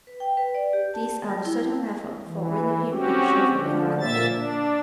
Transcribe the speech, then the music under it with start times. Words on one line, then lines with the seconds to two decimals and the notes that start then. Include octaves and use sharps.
These are the certain methods for winning him in social intercourse.
0.07 B4
0.20 G5
0.37 B4
0.55 D5
0.73 G4
0.94 A5
1.10 A5
1.30 F#3
1.45 E4
2.25 E3
2.91 C4 C#4 F#4 G4
3.50 D3 F3
4.00 A#2 A#3 E5 A6
4.32 D4